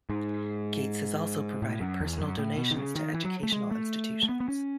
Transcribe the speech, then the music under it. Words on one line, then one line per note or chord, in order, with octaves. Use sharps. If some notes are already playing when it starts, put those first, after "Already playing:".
Gates has also provided personal donations to educational institutions.
G#2
A2
F#2
E2
F#2
A2
B2
D#3
C#3
D#3
E3
F#3
A3
G#3
A3
A3
B3
B3
C#4